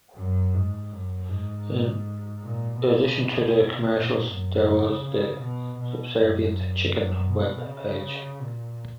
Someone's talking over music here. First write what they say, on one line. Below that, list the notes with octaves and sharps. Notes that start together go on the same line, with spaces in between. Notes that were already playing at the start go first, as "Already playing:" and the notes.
In addition to the commercials, there was "The Subservient Chicken" web page.
F#2
G#2
F#2
G#2
A#2
B2
A#2
F#2
C#3
C#3
B2
B2
F#2
F#2
B2
C#3
A#2